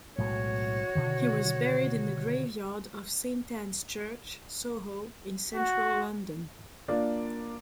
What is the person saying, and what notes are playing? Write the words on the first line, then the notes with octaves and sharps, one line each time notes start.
He was buried in the graveyard of Saint Anne's Church, Soho in central London.
B1 A2 G#3 F#4 C#5
B2 D3 D#3
F#4
A#3 D4 F4 D5